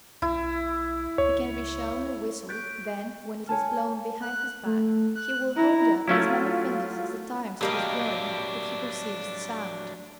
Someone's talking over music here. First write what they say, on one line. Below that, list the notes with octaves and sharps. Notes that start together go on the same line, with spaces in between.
He can be shown a whistle, then, when it is blown behind his back, he will hold up as many fingers as the times it was blown, if he perceives the sound.
B1 E4
C#2 C#5
C#6 F#6 G6 A6 B6 D7
C#5 G#5 A5 F6
F#6
A3
F#6
E4 A#5
F#3 A3 C#4 E4 F4
F#3 G3 A#3 D4 D#5